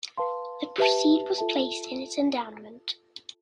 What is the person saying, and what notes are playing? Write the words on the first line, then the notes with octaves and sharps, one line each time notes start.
The proceed was placed in its endowment.
B4 F5 A5 C6
G4 B4 E5 A5
F4 A4 E5 A5